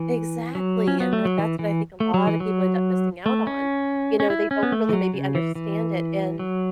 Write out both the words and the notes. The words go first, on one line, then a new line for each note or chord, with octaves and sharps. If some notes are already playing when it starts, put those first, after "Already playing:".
Exactly. And, uh, that's what I think a lotta people end up missing out on, you know, they don't really maybe understand it. And
Already playing: E3
F#3
C#4
B3
A3
F#3
E3
E3
A3
F#3
E3
F#3
A3
C#4
C#4
E4
C#4
B3
A3
E3
F#3
C#3
E3
E3
F#3